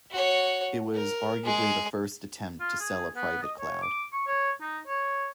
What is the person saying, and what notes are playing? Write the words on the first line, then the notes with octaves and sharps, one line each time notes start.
It was arguably the first attempt to sell a private cloud.
F#4 C#5
A#4
G#3 G#4
F4
G#4
B3
D#5
C#5
D6
C#6
C#5
D#4
C#5